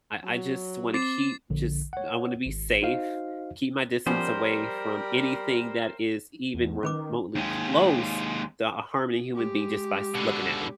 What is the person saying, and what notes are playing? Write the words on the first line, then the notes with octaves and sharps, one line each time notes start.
I I just wanna keep, just I wanna be safe, keep my distance away from anything that is even remotely close to harming human being just by s looking at ‘em.
F#3
C4 D6 A6 C7
A#1 D3
C#5 F#5
G#1
D#4 F#4 C5 D#5 F5
F3 G3 B3 C#4 A#4 C5
E2
D#3 C#4 B4 D6
D#3
D#2 G#3
G#3 G4
B2 D3